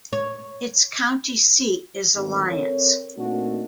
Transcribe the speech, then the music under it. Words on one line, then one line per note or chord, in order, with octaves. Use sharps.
Its county seat is Alliance.
C#5
G#1 D2
C4 A4 A#4 C#5
A#2 A3 C4 D4 D#4 F#4